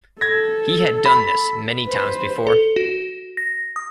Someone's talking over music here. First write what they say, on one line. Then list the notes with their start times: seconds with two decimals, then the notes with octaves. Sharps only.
He had done this many times before.
0.21 A4 G#6 A#6
1.06 B5
1.87 B4 C5
2.47 A4
2.76 F#4
3.37 A#6
3.76 D#6